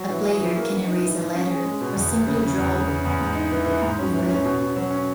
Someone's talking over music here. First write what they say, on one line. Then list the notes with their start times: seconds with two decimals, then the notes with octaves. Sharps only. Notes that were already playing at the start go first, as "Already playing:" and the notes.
A player can erase a letter or simply draw over it.
Already playing: F#3
0.10 E3
0.24 G#4
0.40 E3
0.55 A#3
0.72 E3
0.88 D#4
1.02 E3
1.18 E3
1.34 C#4
1.50 G#4
1.65 G#3
1.81 B2
1.96 E2
2.12 E2
2.27 C#3
2.42 C#3
2.58 E2
2.74 C#3
2.89 C#3
3.05 E2
3.21 G#2
3.35 D#4
3.52 E3
3.66 E3
3.82 G#2
3.98 C#4
4.13 E3
4.29 C#4
4.44 B2
4.60 B2
4.76 F#3
4.90 C#4